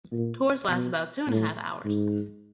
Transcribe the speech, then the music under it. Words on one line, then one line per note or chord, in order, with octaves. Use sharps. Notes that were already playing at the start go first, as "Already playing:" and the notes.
Tours last about two and a half hours.
A#2
B2
A2
G#2